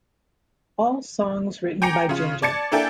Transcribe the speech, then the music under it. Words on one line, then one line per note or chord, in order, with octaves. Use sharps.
All songs written by ginger.
G5 G#5 A#5 D6 C#7
C#3 F4
D5 A5 G#6 A6 C#7
A#3 D4 E4 A4 G5 G#5